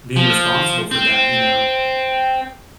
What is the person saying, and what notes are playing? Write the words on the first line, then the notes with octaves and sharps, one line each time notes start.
being responsible for that, you know.
F3
C4